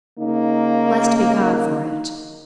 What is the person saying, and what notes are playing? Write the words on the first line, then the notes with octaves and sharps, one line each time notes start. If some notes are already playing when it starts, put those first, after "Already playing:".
Blessed be God for it!
C#3 A#3 D#4